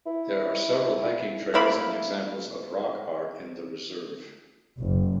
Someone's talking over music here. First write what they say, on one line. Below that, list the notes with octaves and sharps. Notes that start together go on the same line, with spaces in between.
There are several hiking trails and examples of rock art in the reserve.
E4
A3 A#3 E4 B5
F#1